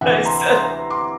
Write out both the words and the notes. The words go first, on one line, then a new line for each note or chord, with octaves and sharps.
I said,
D2 C3 E3 E5 F#5
A#5 C6
A#5 C6
C6 D6